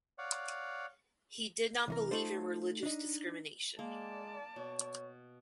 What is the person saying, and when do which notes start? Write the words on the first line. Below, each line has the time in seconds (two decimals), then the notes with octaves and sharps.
He did not believe in religious discrimination.
0.18 C#5 D5 F5 F#5
1.88 C2 E3 A#4
2.11 A3 D#4 F4 A4 C5
2.83 D4 D#4
3.79 G#3 A#3 D5 A5
4.56 B2 C#5